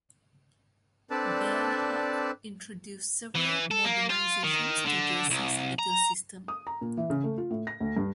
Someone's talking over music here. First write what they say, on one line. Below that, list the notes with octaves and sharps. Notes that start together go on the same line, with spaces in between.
Bailhache introduced several modernizations to Jersey's legal system.
C4 D4 A4 B4 D5 A5
E3
A4
A#3
F4
D#3
D3
C2
A#5
D#6
A#5
A#2
E3
C#3
A3
F4
A2
A#6
D2
G2